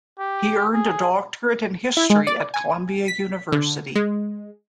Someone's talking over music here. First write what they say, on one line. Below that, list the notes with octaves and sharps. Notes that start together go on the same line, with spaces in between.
He earned a doctorate in history at Columbia University.
G4
G#4
E4
G#3
D5
G#5
B6
D3
G#3